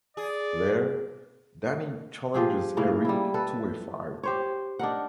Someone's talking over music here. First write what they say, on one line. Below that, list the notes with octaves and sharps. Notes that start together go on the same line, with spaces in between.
Later, Danny challenges Eric to a fight.
G#4 D5
F3 G4 G#4
A2 C#3 A#3
G3 E4
A4 B4
G4 C5 C#5
D4 D#4 A#4 F#5